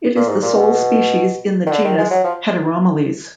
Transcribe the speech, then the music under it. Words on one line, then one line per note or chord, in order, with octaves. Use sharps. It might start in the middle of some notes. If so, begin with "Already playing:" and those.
It is the sole species in the genus Heteromeles.
A#2
G#2
A#2
B2
D#3
D3
D#3
G#3
F#3
F3